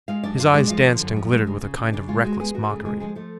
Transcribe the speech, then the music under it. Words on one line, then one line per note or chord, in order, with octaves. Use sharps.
His eyes danced and glittered with a kind of reckless mockery.
G#3 F4 F5
F#2 D4 D5
F#2 F4 F5
G#3 D4 D5
F3 F4 F5
D3
F#2
F3
G#3
C#3
C#3
C#3
C#3 D4 D5
G#3 F4
G#3 F#4
G#3 B3 G#4
A3 F#4
C#3 G#3 G#4
D2 G#3 G#4
F3 G#3 G#4
F3 A3 A4